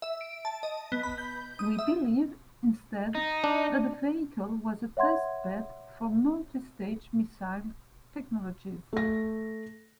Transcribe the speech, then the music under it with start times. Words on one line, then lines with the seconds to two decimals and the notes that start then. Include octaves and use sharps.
We believe instead that the vehicle was a test bed for multi-stage missile technologies.
0.02 E5
0.21 D7
0.45 A5
0.63 D#5
0.92 B3
1.03 B5
1.18 G6
1.59 D#6
1.79 E5
3.15 D#4
3.44 D4
4.97 C#5 E5 F#5 C6 G#6
8.93 A3 A#6